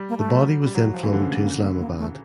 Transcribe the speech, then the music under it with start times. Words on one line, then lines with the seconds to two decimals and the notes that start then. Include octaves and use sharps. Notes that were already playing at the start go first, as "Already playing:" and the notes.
The body was then flown to Islamabad.
Already playing: G3
0.09 A#3
0.18 A3
0.29 F#3
0.66 G3
0.75 F#3
0.94 F3
1.03 E3 A#3
1.13 D3
1.17 A3
1.22 C#3
1.29 A3
1.42 A#3
1.60 A#3
1.80 A#3
1.99 A3